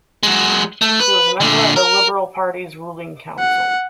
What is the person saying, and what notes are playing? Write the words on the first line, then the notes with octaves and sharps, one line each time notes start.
She was a member of the Liberal Party's ruling Council.
F#3 G#3
A3
B4
A#2 D3
A#4
F#5